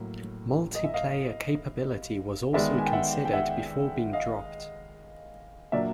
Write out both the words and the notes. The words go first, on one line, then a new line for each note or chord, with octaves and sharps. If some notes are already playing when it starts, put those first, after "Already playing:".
Multiplayer capability was also considered before being dropped.
Already playing: A2 F#3 A#3
D#5
E5
D#5 F5
D#3 G#3 B3 D5 E5
G#5
G5
E5 F#5
G5
E5 F#5
D#5 F5
A#2 F#3 A#3 D4 D5 E5